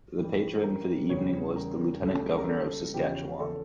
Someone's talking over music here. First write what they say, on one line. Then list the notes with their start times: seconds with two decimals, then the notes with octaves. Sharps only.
The patron for the evening was the Lieutenant Governor of Saskatchewan.
0.18 G2 E3 G3
0.57 A4
0.64 A#4
1.09 E2 C#3 G3 C#4 C#5
1.56 A#4
2.01 C#2 C#3 G3 C#4 A4
2.38 A#4
2.48 A4
2.94 E2 C#3 F3 C#4 G4
3.40 A4